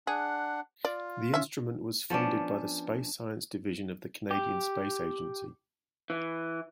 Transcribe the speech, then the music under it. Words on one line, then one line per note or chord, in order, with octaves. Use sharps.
The instrument was funded by the Space Science Division of the Canadian Space Agency.
D4 G#4 F#5
F4 D5
C#4 E5
F3 B3 C#4 D4
G4
E3